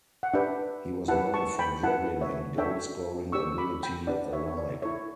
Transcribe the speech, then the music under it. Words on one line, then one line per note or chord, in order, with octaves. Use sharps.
He was known for dribbling and goal-scoring ability alike.
F#5
D4 G4 B4 E5 G5
E4 G4 B4 F#5 A5
A5 C#6
G5 B5
E4 B4 F#5 A5
C#5 E5
D4 A4 C#5 E5 G5
D4 G4 C#5 C#6 E6
E6
B5 D6
G5 B5
D4 G4 B4 D5 F#5
C#5 E5
C#5
D5
E4 A4 C#5 E5